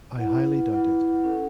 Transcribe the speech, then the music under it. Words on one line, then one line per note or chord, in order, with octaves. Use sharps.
I highly doubt it.
E4 B4 F#5
E4 B4 F#5
C#4 A4 F#5